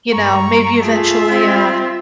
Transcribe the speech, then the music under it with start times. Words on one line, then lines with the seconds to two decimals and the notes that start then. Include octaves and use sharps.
you know, maybe eventually, uh,
0.12 G2 A#5 C#6
0.84 A3 F4 G#4 E5
1.29 C4